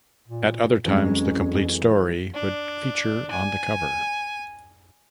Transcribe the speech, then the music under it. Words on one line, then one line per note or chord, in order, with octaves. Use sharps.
At other times the complete story would feature on the cover.
A#2
F2 E3 F#3 G#3 C#4
D4
G#5